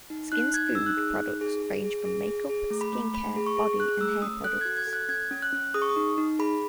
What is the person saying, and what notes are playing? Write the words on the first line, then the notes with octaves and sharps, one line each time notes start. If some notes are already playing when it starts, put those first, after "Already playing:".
Skin Food's products range from makeup, skin care, body and hair products.
D#4
D#4 F#6
D#4 G#6
D#4 E6
F#6
G#4
D#4
G#4
G#4
G#4
G#4
G#4
G#4
A3
B5
A3
A3 B5
G#4
C#6
G#4
G#4 F#6
A3 E6
C#4 D#6
A4 F#6
G#6
F#4
G#6
A4
F#6
C#4 G#6
C#4
F#6
C#4
G#4 D#6
C#6
D#6
D#4
D#4
G#4 B5